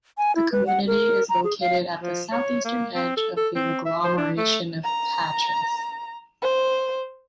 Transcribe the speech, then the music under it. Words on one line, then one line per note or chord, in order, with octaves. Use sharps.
The community is located at the southeastern edge of the agglomeration of Patras.
G#5
E4
B4
F#5
A#4
A#5
G#4
F5
F3
C#5
A#3
C4
A4
A4
C4
E5
C5
D4
A3
A#5
C5